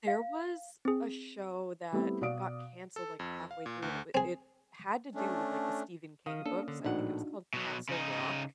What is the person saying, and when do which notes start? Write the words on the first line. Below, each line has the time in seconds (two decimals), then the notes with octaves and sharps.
There was a show that got canceled, like, halfway through and wi it had to do with, like, the Stephen King books. I think it was called Castle Rock.
0.08 F5
0.85 C4 G#4
1.93 G3 A3 B3 C4 E4 G4
2.21 B2 F#4 D5 F5 D#6 D7
2.96 A4
3.19 F2
3.51 F5
3.66 A#2
3.82 D2
4.14 C4 G#4
5.13 A3 C#4 D4
6.26 D#3 F5 D#6
6.46 A#3 C#4 D4 A4
6.68 D3
6.84 A#1 A2 D4 D#4 F#4 F#5
7.53 B2 F#3
7.89 C#3 D#4